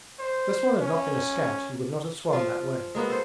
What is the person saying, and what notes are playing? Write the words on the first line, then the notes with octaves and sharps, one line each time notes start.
If this one had not been a scout he would not have swum that way.
C5
C#4
F3 F4
G#3 A#3 B3 F#4
A4 C5